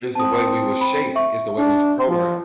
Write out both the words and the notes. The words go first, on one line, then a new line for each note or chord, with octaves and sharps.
It's the way we was shaped, it's the way we was programmed.
C4 A5 D#6
B5
E5 C#6
D4
F3